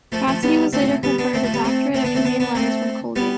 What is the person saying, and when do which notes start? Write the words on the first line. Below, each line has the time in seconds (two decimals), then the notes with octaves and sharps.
Bossidy was later conferred a doctorate of Humane Letters from Colgate.
0.12 F3 A3
0.27 F3 A3
0.43 G3 B3
0.73 A3 C4
1.03 G3 B3
1.18 B3 D4
1.33 A3 C4
1.44 F3 A3
1.54 G3 B3
1.64 A3 C4
1.94 A3 C4
2.04 B3 D4
2.14 A3 C4
2.25 B3 D4
2.40 B3 D4
2.55 A3 C4
3.16 G3 B3